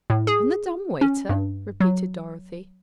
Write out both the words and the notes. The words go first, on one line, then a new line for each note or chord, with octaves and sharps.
"On the dumb waiter?" repeated Dorothy.
A2
G#4
C#4
G2
F#3